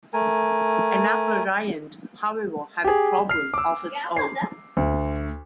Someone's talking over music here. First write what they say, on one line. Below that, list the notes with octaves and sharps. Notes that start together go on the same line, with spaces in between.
Enalaprilat, however, had a problem of its own.
A3 A#4 G#5
G4 G#4
F6 C7
D6 E6
C7
D2